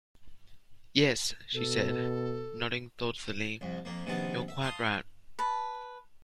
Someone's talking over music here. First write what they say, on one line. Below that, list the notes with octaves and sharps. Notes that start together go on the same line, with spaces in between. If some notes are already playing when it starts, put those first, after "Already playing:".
"Yes," she said, nodding thoughtfully, "you're quite right."
B2 A4
C2 F2
F2 A#3
A#1 C3 D#3 B3 A5
E5
F5 A5 C6 D#6
B4 A5